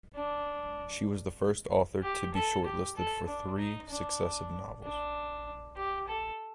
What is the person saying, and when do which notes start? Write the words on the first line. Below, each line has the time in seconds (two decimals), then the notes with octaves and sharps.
She was the first author to be shortlisted for three successive novels.
0.15 D4
2.03 G4
2.34 A4
2.64 G4
2.97 A4
3.27 D4
3.58 D#4
3.89 D4
4.83 D4
5.76 G4
6.08 A4